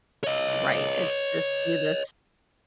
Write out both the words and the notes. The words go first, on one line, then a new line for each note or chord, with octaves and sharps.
Right. It's just, "Do this"
C#5 D#5